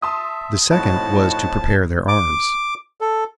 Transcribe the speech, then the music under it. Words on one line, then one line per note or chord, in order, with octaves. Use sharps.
The second was to prepare their arms.
E5 A5 C6 D#6
F2 A2 F3 D#4 E4 F#4 A5
D6
A4